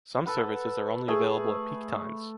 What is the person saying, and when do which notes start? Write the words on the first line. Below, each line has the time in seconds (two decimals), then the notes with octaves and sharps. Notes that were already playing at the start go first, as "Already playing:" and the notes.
Some services only are available at peak times.
0.26 A4 B4 F#5
1.08 A3 G#4